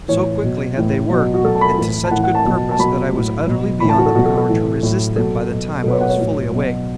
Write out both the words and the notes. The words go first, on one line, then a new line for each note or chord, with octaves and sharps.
So quickly had they worked and to such good purpose, that I was utterly beyond the power to resist them by the time I was fully awake.
A2 E3 C#5
B2 F#3
A2 E3
B2 F#3
F#4
B2 F#3 A4
A5
B5
A2 E3
A5
A2 E3 F#5
F#5
A5
B2 F#3
A5
B2 F#3 B5
A2 F#3
B2 F#3
A2 E3 B5
A5
F#4
A4
B2 F#3 F#4
A4
A4
A2 E3
A2 F#3
B2 F#3 A4
B2 F#3
B2 F#3 A4 B4
C#5
F#5
C#5
A2 F#3
B2 F#3